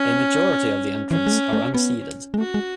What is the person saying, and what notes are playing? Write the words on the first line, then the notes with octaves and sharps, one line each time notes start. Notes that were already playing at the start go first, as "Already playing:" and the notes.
A majority of the entrants are unseeded.
Already playing: C#4
E3 C#4
G#3
A3
A3
B3 C#4
G#3
A3 F#4
G#3